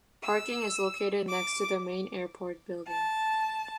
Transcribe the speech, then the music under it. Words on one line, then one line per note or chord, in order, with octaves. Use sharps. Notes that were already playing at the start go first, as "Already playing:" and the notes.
Parking is located next to the main airport building.
E6
D6
A5